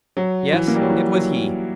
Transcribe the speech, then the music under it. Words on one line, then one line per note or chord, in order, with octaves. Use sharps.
Yes! it was he.
F#3
E3
A#3
G3
F#3
E3
F#3